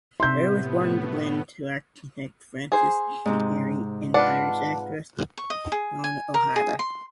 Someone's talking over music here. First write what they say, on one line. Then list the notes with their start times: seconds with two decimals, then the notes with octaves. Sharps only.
Barry was born in Dublin to architect Francis Barry and Irish actress Joan O'Hara.
0.20 A2 C3 B3 E5 C6 G6
2.72 G#4 C5
3.25 G#2 C3
4.14 D4 F4 B4 F#5
5.38 C#6
5.50 D#5
5.72 G#4
6.04 G#5
6.34 A#4
6.56 G#4
6.79 C6